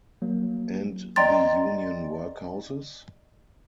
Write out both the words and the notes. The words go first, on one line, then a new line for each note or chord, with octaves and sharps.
And the Union workhouses?
F#3 A#3
D5 D#5 G5 A#5 C6 A6